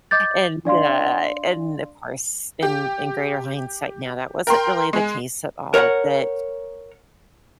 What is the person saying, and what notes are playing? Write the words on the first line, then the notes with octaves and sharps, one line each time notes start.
and, uh and, of course, in in greater hindsight now, that wasn't really the case at all, but,
D#5 D6 G6 A6
D4 D5 F5 C6
G4
A#4 G5 C6
G#3 G#4
A#4 C#5 E5 F#5 A#5